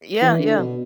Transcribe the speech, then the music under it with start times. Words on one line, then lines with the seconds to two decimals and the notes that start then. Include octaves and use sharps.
Yeah, yeah.
0.22 E3
0.40 D3
0.58 B2